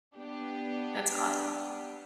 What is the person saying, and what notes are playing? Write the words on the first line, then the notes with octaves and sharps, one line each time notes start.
that's awesome.
B3 D4 G4